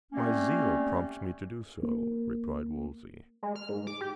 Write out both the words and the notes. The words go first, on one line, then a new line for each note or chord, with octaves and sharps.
"My zeal prompts me to do so," replied Wolsey.
G3 A3 A#3 C4 C#4
A#3
G#3
F6
G#2
D6
G4